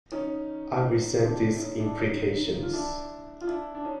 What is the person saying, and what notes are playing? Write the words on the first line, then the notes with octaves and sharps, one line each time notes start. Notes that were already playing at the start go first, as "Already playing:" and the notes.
I resent these implications.
C#4 D#4
D#4
C4 D4
E4
C#4 D#4
D4 E4
C#4 D#4
F4
D4 E4
F4
D4 E4
D4
C#4 D#4